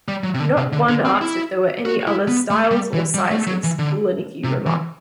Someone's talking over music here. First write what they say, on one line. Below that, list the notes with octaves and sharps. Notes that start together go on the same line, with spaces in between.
Not one asked if there were any other styles or sizes, Hulanicki remarked.
G3
F#3
C3
D3
C3
D3
D3
C4
E4
F#4
E4
B3
A3
G3
E3
G3
A3
F#3
E3
D3
C3
E3